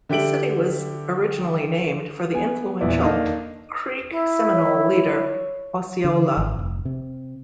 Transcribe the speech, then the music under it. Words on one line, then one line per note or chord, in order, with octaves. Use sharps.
The city was originally named for the influential Creek-Seminole leader Osceola.
D3 G4 E5 D7 F#7
B3 G#5
E1 E2 A#2 B3 E4 D5
D#3 A#3 D4 D#4 D#5 F5
E4
C#5
D3
G#1
F1
C3